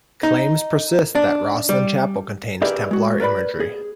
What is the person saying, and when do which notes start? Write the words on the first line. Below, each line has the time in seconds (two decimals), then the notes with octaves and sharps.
Claims persist that Rosslyn Chapel contains Templar imagery.
0.23 D#4
1.15 D4
1.69 G3
2.62 G4 G#4 A#4 B4 D5 E5
2.91 G#3 F#4
3.20 A#4 B4 D5 B5
3.60 G#4